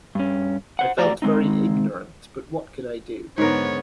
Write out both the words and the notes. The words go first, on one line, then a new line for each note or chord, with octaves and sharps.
I felt very ignorant, but what could I do?
G2 C#4
C5 F#5
F2 A2 F#4 G4 D5 A#5
D#3 G#3 C4 D#4
G#2 D3 B3 A#4 C#5